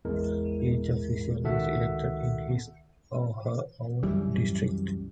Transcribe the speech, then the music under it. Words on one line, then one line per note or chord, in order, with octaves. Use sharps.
Each official is elected in his or her own district.
A1 E2 G#3 E4 A#4
C#2 D#3 F#4 A4 E5 F#5
C2 F#2 E3 G3